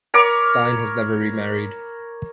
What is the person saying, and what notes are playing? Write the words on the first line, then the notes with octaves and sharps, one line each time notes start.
Stein has never remarried.
A#4 C#5 B5 D6